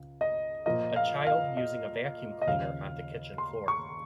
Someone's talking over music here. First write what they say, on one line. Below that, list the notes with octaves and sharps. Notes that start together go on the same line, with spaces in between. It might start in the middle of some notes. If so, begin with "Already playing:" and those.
A child using a vacuum cleaner on the kitchen floor.
Already playing: C#2
D#5
A#2 F3 A#3 D#5
F5
F5
D#5
D#5
D#2 C#3 F3 F5
C6
C#6